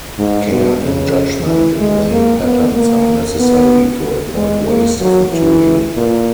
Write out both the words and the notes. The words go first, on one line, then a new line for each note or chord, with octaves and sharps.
Care and judgment in laying patterns are necessary to avoid waste of material.
G#2
B2
C#3
E3
G#3
A#3
B3
A#3
B3
G#3
A#3
F#3
E3
A#2